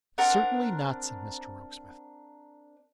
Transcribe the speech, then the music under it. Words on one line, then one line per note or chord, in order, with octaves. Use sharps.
Certainly not, said Mr Rokesmith.
C4 D4 A#4 F#5